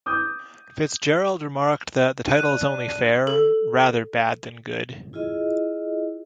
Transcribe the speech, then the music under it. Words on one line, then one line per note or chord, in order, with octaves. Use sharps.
Fitzgerald remarked that the title is only fair, rather bad than good.
D6 D#6 G6
D4 F#6 D#7
A4
E4 F4 G#4 D#5